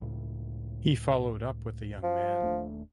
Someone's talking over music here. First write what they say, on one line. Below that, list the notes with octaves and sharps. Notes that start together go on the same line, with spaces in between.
He followed up with the young man.
C#2 A2
F3
D#1 A3 D4